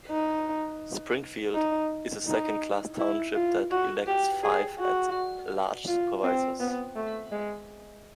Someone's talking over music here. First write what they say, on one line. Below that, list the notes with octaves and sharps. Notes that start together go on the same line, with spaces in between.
Springfield is a second class township that elects five at-large Supervisors.
D#4
D#4
D#4
E4
F4
F#4
G4
G#4
F#4
F4
C4
B3
A3
G#3